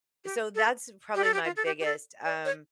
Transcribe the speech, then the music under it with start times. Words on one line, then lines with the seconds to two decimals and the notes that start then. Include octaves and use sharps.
so, that's probably my biggest, um
0.25 G4
0.55 A4
1.15 G4
1.24 A4
1.34 G4
1.45 F4
1.56 A4
1.65 G4
1.80 G4
1.85 A4
2.25 D5
2.45 C#5